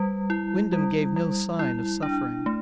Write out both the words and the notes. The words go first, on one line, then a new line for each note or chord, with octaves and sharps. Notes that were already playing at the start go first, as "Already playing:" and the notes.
Wyndham gave no sign of suffering.
Already playing: G3 B4
E4
G3
G3
E4
D4
A3